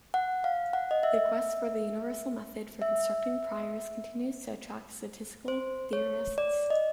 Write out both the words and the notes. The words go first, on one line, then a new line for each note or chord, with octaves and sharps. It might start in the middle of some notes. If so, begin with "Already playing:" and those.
The quest for "the universal method for constructing priors" continues to attract statistical theorists.
F#5
F5
F#5
D#5
E5
E5
C5
C#5
D5
D#5